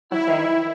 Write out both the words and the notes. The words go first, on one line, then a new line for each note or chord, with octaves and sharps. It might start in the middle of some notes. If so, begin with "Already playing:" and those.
a thing.
E4